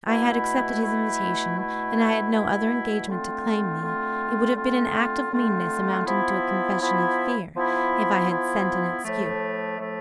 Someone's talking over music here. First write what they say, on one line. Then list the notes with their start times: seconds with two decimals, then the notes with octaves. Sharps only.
I had accepted his invitation; and I had no other engagement to claim me: it would have been an act of meanness amounting to a confession of fear, if I had sent an excuse.
0.07 B2 A3 E4
0.82 B2 A3 E4
1.57 B2 A3 E4
2.32 B2 A3 E4
3.06 D3 A3 C4 F4
3.81 D3 A3 C4 F4
4.56 D3 A3 C4 F4
5.31 D3 A3 C4 F4
6.05 F3 B3 E4
6.80 F3 B3 E4
7.55 F3 B3 E4
8.29 F3 B3 E4
9.04 A2 F3 A3
9.79 A2 F3 A3